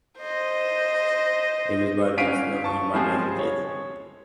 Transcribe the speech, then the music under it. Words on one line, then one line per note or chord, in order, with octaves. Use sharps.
It was by then still owned by Nathan Jacob.
C5 D#5
G1 C#4 F5 B6 D7 D#7
A5 C#6
F3 G3 G#3 C4 G#4
C#5